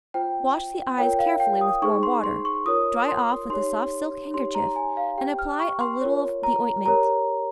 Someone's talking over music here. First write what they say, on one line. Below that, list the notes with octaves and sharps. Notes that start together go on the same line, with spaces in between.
Wash the eyes carefully with warm water, dry off with a soft silk handkerchief, and apply a little of the ointment.
F4 C5 G5
F4 A#4 C#5 G5
F5
G5
D#6
D#4 G#4 C5 C#6
C6
C6
C#6
F4 A#4 C#5 D#6
C6
D#4 G4 C#5 C6
D#4 G4 C#5 C6
A#5
G#5
F5
G4 C5 G5
F6
C#6
C6
F4 A#4 C#5
A#5
G4 A#4 C#5 A#5